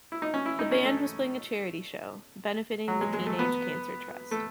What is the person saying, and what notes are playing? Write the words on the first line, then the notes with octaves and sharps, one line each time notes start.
The band was playing a charity show, benefiting the Teenage Cancer Trust.
E4
D#4
C#4
E4
D#4
C#4
A3
F#3
G#3
G#3
A3
B3
A3